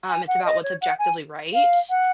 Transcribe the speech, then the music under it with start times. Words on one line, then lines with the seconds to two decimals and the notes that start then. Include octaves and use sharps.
um, it's about what's objectively right.
0.09 G#5
0.28 F#5
0.45 D#5
0.63 C#5
0.81 F#5
0.99 G#5
1.54 F5
1.90 F#5